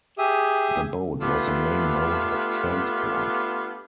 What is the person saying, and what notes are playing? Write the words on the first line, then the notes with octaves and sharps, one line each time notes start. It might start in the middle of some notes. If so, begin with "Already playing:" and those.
The boat was the main mode of transport.
G4 G#4 E5 D#6
A3 B3 D4 F4 G4 A4